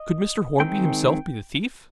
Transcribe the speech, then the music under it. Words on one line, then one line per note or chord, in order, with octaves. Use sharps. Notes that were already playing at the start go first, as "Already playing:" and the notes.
Could Mr. Hornby himself be the thief?
Already playing: D#5
D#3 G#3 C4 G5